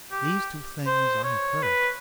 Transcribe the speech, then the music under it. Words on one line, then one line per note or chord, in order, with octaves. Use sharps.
These two things I have heard.
G4
C5
C#5
B4